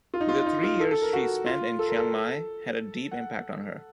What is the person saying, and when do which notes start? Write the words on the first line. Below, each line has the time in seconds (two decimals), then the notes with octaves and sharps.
The three years she spent in Chiang Mai had a deep impact on her.
0.14 F4
0.21 D#4
0.29 F4
0.46 D#4
0.63 F4
0.80 A4
0.91 A4
1.02 A#4
1.13 F#4
1.46 F4
1.79 A4
1.88 A#4
1.98 A4
3.12 F#5